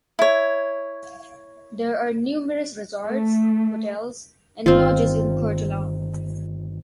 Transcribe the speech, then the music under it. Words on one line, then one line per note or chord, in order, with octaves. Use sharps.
There are numerous resorts, hotels and lodges in Courtallam.
E4 C#5
A3
G1 D#3 C4 F4